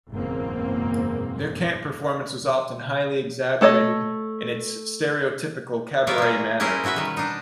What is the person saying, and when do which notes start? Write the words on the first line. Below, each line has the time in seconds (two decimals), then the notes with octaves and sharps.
Their camp performance was often highly exaggerated in its stereotypical cabaret manner.
0.12 F#1 E2 G#2 B2 A#3 C4
3.61 A3 A4 C#5 D#5
6.07 G3 F4 A#4 C#5 D5 E5
6.18 A#3 G#4
6.60 C#4 E4 G4 G#4 A#4 C5
6.84 B2 E4 F#4 B4 E5
6.96 D#3 G3
7.17 D4 D#4